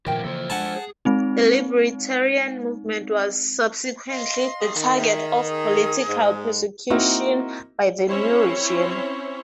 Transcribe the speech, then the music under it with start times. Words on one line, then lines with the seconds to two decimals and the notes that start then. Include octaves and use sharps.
The libertarian movement was subsequently the target of political persecution by the new regime.
0.07 G2 A#2 D#3 F3 B3 A#4 E5 G5
0.24 C#3 E3 A#3 A4 C5
0.50 G#3 D4 F#5 G#5 A5
0.76 G#4
1.05 G#3 C4 D#4
4.09 D#5 F5 C6
4.61 G3 G#4
4.75 D#3
4.94 G#4 E5
5.48 G#4 A#4 D#6
6.08 G#2
6.90 A#3 C4 D#4 E4 F#4 A#4
8.09 C4 C#4 E4 C5 C#5